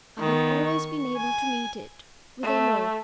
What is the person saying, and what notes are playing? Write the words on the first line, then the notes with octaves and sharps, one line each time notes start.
I have always been able to meet it with a No!
D#3 B3
C#6
G#5
A3